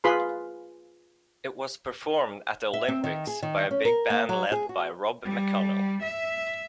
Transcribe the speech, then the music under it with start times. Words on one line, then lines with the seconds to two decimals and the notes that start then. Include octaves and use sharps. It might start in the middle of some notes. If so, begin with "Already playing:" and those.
It was performed at the Olympics by a big band led by Rob McConnell.
0.04 F4 G#4 B4 B5 C6
2.73 E5
2.88 C4
3.04 D#3
3.27 G#4
3.42 D#3
3.71 C#4
3.85 A#4
4.10 A#3
4.29 F#3
4.52 G#4
4.69 F#4
5.25 G3
6.04 E5